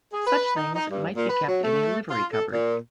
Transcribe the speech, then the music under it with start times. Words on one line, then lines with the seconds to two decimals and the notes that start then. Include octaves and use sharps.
Such things might be kept in a "livery cupboard".
0.13 G#4
0.27 B4
0.56 D#4
0.75 D#4
0.90 G2
1.16 A#2
1.29 B4
1.48 F#3
1.63 A3
2.10 F4
2.33 A4
2.52 A#2